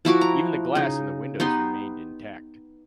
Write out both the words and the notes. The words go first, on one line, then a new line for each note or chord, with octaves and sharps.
Even the glass in the windows remained intact.
F3 E4 F#4 D6
A#5
C#3 D#4
B3 D#4 G4 C6